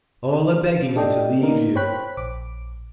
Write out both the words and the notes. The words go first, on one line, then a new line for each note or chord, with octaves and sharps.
All a-begging me to leave you.
D4 G4 A4 D5 D#5 G5
A#3 B3 D#4 A#4
C5 C#5 G5 B5 F#6 B6
A#1 D6